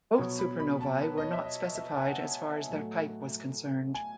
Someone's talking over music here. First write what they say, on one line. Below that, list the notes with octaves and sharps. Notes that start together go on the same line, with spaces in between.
Both supernovae were not specified as far as their type was concerned.
B2 F#3 B3 C#5
B5
B5
A5
B4
D#5
C#5
E5
D#5
E5
A5
G#5
F#5
A2 F#3 A3
G#5